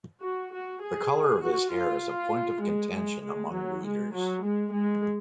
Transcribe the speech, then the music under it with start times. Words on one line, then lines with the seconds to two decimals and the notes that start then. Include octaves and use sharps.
The color of his hair is a point of contention among readers.
0.21 F#4
0.52 F#4
0.82 G#4
1.42 F#4
1.72 F4
2.62 G#3
2.93 G#3
3.22 G#3
3.52 F#3
3.83 G#3
4.13 F#3
4.42 G#3
4.72 G#3